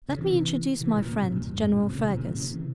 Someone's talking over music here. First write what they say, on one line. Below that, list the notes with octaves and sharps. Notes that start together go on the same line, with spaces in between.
Let me introduce my friend, General Fergus.
C#3
C3 E3
C3 E3
A#2 C#3
A#2 C#3
G#2 C3
G2 A#2
E2 G2
F2 G#2
G2 A#2
G#2 C3
A#2 C#3
C3 E3
A#2 C#3
C3 E3
A#2 C#3
C3 E3